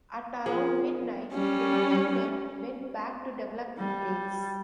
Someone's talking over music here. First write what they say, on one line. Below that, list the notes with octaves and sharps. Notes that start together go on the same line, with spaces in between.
At around midnight, the three men went back to develop the plates.
F3 G#4 A#4
G3 C#4
G3